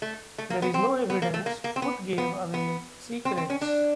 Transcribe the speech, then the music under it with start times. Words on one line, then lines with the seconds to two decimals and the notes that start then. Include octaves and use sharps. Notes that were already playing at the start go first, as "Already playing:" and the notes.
There is no evidence Foot gave away secrets.
0.02 A3
0.38 A3
0.50 A#3
0.62 B3
0.74 C4
1.10 B3
1.22 A#3
1.34 A3
1.46 A#3
1.64 A#3
1.76 C4
1.82 B3
2.18 B3
2.54 B3
3.25 C4
3.37 C4
3.50 C#4
3.61 D4